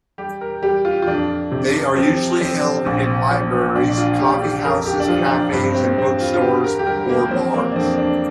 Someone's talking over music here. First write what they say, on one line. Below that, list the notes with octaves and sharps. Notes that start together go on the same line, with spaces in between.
They are usually held in libraries, coffee houses, cafes, and book stores or bars.
G3 G4
A#4
G3 G4
F4
F4
F2 D4
C3
F3 C4
F3 C4
A#1
F3
A#1 D4
D4
F4
A#1 G4
G4
F2 A#4
G4
D4
F3 F4
D4
G2 C4
C4
G2 C4
F4
F4
D3 G4
A#4
G4
G3 A#4
A#3
A#3
F3 C4
A#3
D4
F2 C4
D4